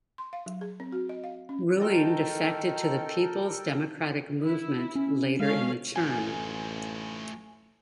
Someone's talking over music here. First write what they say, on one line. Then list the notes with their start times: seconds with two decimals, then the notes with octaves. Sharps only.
Ruing defected to the People's Democratic Movement later in the term.
0.18 C6
0.33 F5
0.46 F#3
0.61 G#4
0.80 C4
0.92 F#4
1.09 D#5
1.24 F5
1.49 C#4
1.80 D#3 A4 A#4 G5
4.43 E4
4.95 C#4
5.39 G#3 C#4 A4 F5
5.96 A1 A3 F4 G#5